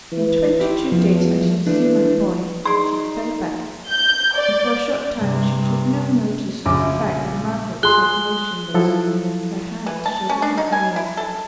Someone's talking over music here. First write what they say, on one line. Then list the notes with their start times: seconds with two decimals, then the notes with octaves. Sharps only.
In twenty-two days I shall see my boy.' She fell back, and for a short time she took no notice of the fact that Margaret sat motionless, her hand shading her eyes.
0.12 E3
0.60 E4 G4
0.92 E2 F3
1.67 E3 A3 D4
2.65 D#4 G#4 D5 C6
3.88 G6
4.35 D5
5.16 G2 C3
6.66 A#1 C#3 D6
7.83 G#4 C6 F#6 G7
8.74 F3 F#3 E4 A4
9.86 E3
10.06 A5
10.29 C#4
10.42 D4
10.58 D#4
10.72 G#5
10.96 E4
11.17 A4